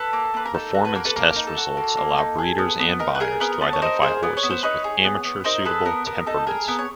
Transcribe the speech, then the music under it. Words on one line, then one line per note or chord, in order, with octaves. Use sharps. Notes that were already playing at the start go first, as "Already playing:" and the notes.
Performance test results allow breeders and buyers to identify horses with amateur-suitable temperaments.
Already playing: A4 B4
A#3
A#3 B4
A#4
D#4 A4
F#4
B4
A#3 A#4
A4 B4
A#3 A#4
D#4
A4
F#4
A#3
A#3
D#4
G#4
B3
B3
D#4 A#4
B4
G#4 A#4
B3 A#4
B3 A4 B4
C#5
D#4 A#4 C5
G#4 A#4 C5
B3 D5
C#5
B3
C5
D#4 B4 C#5
G#4
B3
B3
D#4 A#4 C5
G#4 A4 B4
B3 A#4
B3 A#4
D#4 A4
G#4 A#4
B3 A#4
C#5